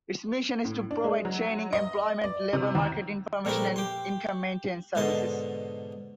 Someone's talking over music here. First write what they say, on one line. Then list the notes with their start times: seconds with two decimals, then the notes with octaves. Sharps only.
Its mission is to provide training, employment, labor market information, and income maintenance services.
0.65 A2
0.91 D4
1.04 G#3
1.25 F#3
1.73 D#5
2.24 D5
2.53 C3
2.75 D#2
3.45 A#1 A3 C4 D4 E4 A#4
3.76 G4 C6
4.95 G#2 B2 D3 D#5 A5 C6